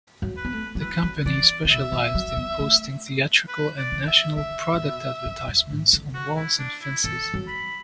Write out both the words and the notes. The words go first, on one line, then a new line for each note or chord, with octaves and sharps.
The company specialized in posting theatrical and national product advertisements on walls and fences.
F#3
B4
B3
A3
F#3
E3 B4
F#3
E3 D5
D3
B2 E5
E3
F#3
B3
A3
B4
D5
E3
E5
D3 E5
D3
B2
F#2
F#2
A2
D3
F#4
E4
D4
E4
E3 A4
F#3
B5